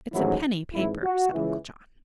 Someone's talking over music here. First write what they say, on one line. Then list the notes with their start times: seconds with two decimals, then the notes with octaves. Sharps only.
"It's a penny paper," said Uncle John.
0.13 A1 G#2 D#3 F#3 E4
0.73 G#1 G#2 E3 E4
1.03 F#4
1.33 C#2 C#3 E3